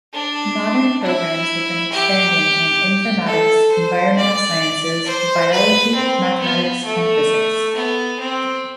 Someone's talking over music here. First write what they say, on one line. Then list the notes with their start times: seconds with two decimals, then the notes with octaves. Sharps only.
Modern programs have been expanding in: Informatics, Environmental Sciences, Biology, Mathematics and Physics.
0.13 D4
1.03 E4
1.92 G4
3.27 A4
3.72 C5
4.16 D5
5.06 C5
5.51 B4
5.96 C4
6.40 B3
6.85 A3
7.75 B3
8.20 C4